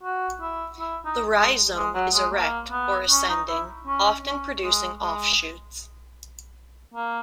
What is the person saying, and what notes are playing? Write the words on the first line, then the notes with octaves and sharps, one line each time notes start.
The rhizome is erect or ascending, often producing offshoots.
F#4
E4
E4
D#4
G#3
G#3
F#3
G#3
A#3
B3
C#4
D#4
E4
C#4
C#4
G#3
G#3
A#3